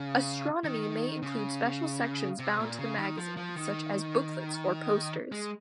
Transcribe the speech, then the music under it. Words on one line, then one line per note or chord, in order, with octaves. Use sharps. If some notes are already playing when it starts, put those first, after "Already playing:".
"Astronomy" may include special sections bound into the magazine, such as booklets or posters.
Already playing: C#3
D#3
C#3
C3
A#2
C#3
D#3
F3
F3
D#3
G#3